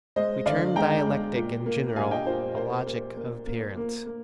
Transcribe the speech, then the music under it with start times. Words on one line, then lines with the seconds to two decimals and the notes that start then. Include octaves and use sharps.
We termed dialectic in general a logic of appearance.
0.16 G#3 C5 D#5
0.46 D3 D5 F5
0.76 G#3 G5 A#5
1.06 G#3
1.36 A#2
1.66 A#3
1.96 G3 F5 G#5
2.11 D#5 G5
2.26 A#2 C5
2.56 A#3 C5
2.86 A#3
3.17 A#3
3.46 A#3
3.77 A#3
4.06 A#3